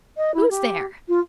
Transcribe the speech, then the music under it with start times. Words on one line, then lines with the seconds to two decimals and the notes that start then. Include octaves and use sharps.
Who's there!
0.17 D#5
0.34 E4
0.50 G4
1.08 F4